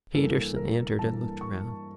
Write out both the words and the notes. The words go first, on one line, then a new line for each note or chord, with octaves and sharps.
Peterson entered and looked around.
G2 E3 A#3 A4
A#4
G2 E3 A#3 A5
C#6